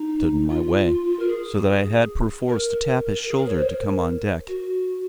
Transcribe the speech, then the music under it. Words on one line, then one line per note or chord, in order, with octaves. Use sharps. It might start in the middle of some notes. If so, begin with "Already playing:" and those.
He stood in my way, so that I had perforce to tap his shoulder to come on deck.
Already playing: D#4
F4
A#4
G#4
A#4
G#4
A#4
C#5
C5
A#4
F#4